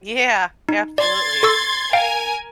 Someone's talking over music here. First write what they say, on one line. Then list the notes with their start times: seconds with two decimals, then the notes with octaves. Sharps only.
Yeah, absolutely.
0.69 D#4
0.98 D5 C6 G#6 A6
1.43 A4 C#6 E6
1.93 A#4 F5 G5 G#5